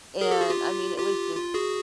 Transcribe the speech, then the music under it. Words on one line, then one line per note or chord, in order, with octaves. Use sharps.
and I mean, it was just
G#4 A#4
G4 A4
F#4 G#4
F4 G4
F4 G4
F4
F#4 G#4